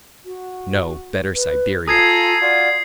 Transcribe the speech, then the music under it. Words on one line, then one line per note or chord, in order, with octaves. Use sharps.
No, better Siberia!
F#4
B4
F4 A4 G#5 A#5 D#6 G#6 C7
F4 F#4 D5